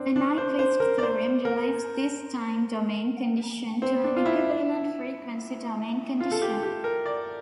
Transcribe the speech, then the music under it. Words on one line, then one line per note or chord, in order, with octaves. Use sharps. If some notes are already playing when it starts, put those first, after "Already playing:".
The Nyquist theorem relates this time-domain condition to an equivalent frequency-domain condition.
Already playing: C4 D4
D4
C5
C5
A#4
D5
C5
A#4
C4
D4
F4
E4
F4
A4
G4
G4
A#4
D5